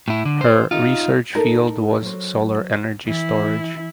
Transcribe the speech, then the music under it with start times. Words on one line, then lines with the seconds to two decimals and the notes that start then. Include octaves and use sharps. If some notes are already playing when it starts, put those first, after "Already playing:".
Her research field was solar energy storage.
0.08 A2 E4
0.25 D3
0.41 C5
0.71 D#4 F4
1.35 D#4 A4 A#4
2.02 F#3 C5
3.05 E3 E4